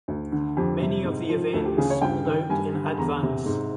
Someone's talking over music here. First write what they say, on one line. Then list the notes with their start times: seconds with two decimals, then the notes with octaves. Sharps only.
Many of the events sold out in advance.
0.08 D2
0.32 D3
0.57 F2 G4
0.81 C3
1.05 G#2
1.29 F3
1.53 D2 A4
1.65 G4
1.77 C#3 G#4
1.90 C#5
2.01 G2 G5
2.26 D#3
2.50 G2 G#5
2.74 D3
2.98 E2 A#5
3.23 C3
3.46 G#2